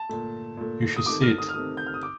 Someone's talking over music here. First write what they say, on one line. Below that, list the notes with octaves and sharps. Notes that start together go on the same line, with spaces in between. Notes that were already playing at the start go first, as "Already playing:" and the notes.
You should see it.
Already playing: A5
A#2 A3
A#2 A3
D#6
C3 D#3 A3 D6
F6
D#6
F6
C3 D#3 A3 D#6
G6
F6
D#6
D6